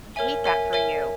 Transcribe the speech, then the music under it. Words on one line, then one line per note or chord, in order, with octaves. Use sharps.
I hate that for you.
A#4 C#5 E5 G#5
A#4 C#5 E5 G#5
A#4 C#5 E5 G#5